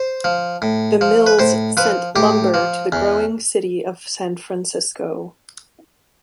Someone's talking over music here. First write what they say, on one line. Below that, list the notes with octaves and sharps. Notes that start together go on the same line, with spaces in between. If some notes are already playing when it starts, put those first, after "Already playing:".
The mills sent lumber to the growing city of San Francisco.
Already playing: C5
F3
A2
F3
B4
A2 C5
F3 B4
A2 G4
F3
E2